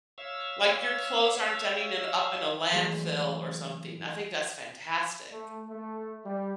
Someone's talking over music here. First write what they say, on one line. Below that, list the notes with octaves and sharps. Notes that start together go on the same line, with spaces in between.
Like, your clothes aren't ending in up in a landfill, or something. I think that's fantastic.
C#5 E5 F5 E6
E3 F#3 G#3 A3
A3
A3
G3